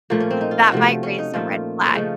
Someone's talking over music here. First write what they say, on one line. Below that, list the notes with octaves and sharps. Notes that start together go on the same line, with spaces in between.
that might raise some red flags.
A#2 F3 A3 A#3
C#4
C4
D#4
F4
C3 F3 A3 F#4
C#4
D#4
A#2 F3 A3 F4
C#4
C#3 F3 A3 D#4